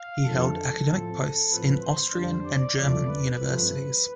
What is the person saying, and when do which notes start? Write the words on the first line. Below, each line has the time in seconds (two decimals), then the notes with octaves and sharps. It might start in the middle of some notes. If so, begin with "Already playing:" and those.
He held academic posts in Austrian and German universities.
Already playing: F5
0.24 F2 D3 F3 A3 A4
0.86 A2 F3 C4 A4
1.50 A2 F3 C4 B4
1.82 C5
2.13 F2 D3 G3 D4
2.45 D5
2.76 E2 C3 F3 A3 D5
3.08 B4
3.39 G2 F3 A3 C4